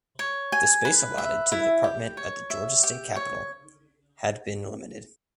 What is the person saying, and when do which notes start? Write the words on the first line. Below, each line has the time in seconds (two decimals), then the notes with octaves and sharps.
The space allotted to the department at the Georgia State Capitol had been limited.
0.19 C#5
0.52 G#5
0.85 B4
1.18 E5
1.52 E4
1.84 G4
2.17 C#5
2.50 E5
2.83 G4
3.16 C#5